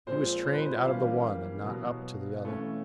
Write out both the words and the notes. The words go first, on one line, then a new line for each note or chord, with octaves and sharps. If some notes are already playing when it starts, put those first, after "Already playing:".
He was trained out of the one and not up to the other.
A#2 F3 G#3 C4 C5
C5
B4
C5
E3 G3 A#3 C#4 F5
B2 F#3 B3
E3 A3 C#4